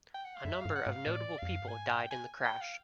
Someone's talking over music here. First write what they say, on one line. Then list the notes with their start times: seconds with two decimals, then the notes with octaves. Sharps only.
A number of notable people died in the crash.
0.14 G5
0.25 F#5
0.35 F5
0.45 F#2 E5
0.61 G2 F5
0.76 F#5
0.86 G#2
0.91 F5
1.07 A2 D5
1.38 F2 F5
1.51 F#2
1.60 G2
1.68 G#2 G#5
1.89 G5
2.11 G#5
2.45 G5
2.61 F5